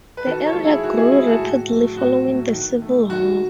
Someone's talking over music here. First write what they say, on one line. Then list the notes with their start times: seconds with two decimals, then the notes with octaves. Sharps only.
The area grew rapidly following the Civil War.
0.17 B4
0.27 D#3 F#4 A4
0.45 A4 C#5
0.55 G#3
0.64 E4 G#4
0.83 D#3 F#4
0.97 E4 G#4
1.12 G#3 E4 G#4
1.26 F#4 A4
1.40 A2
1.68 F#3 A3
1.97 A2 F#4
2.26 F#3 A3
2.53 D#3
2.82 A3
3.10 D#3 F#4